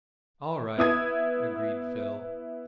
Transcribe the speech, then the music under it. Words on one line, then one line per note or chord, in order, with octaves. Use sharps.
"All right," agreed Phil.
B3 E4 D#6 G#6